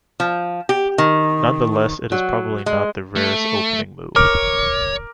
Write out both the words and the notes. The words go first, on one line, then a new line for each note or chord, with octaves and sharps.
Nonetheless, it is probably not the rarest opening move.
F3
G4
D#3
F#3
G#3
A3
A#4 C#5 D6 F6